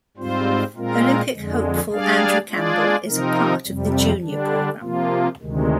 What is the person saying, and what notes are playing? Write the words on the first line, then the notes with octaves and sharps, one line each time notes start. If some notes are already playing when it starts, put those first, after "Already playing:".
Olympic hopeful Andrew Campbell is a part of the Junior program.
G#2 G3 C4 F4 C5
A#2 G#3 C4 F4 A#4
F2 D3 G#3
G3 D4 G#4 D5 F5
G#3 D4 F4 G#4 D5
C3 F3 C4 D#4 A#4
F2 C3 G3
D3 G3 D4
C3 F3 A#3 F4
D2 C3 D#3 G#3